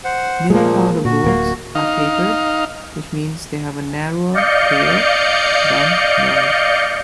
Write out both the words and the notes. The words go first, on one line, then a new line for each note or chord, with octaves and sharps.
Many powder boards are tapered, which means they have a narrower tail than nose.
C5 F#5
A#2 F3 G#3 A#3
A#2 F#4
D1 A#3
D#4 F5
D5 D#5 F5 G6 C#7